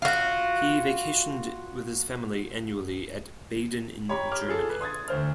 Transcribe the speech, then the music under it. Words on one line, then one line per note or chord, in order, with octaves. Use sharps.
He vacationed with his family annually at Baden in Germany.
F4 F#4
G4 C#5 G5 A#5 B5 D6
D6 F6
F4 G#4 A4
B4
C6 D#6 G#6 A6
D2 C5 F6